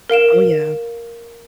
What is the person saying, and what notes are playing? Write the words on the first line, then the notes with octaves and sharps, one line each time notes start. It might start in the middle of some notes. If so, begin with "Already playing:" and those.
Oh, yeah.
A#4 F5 D7 E7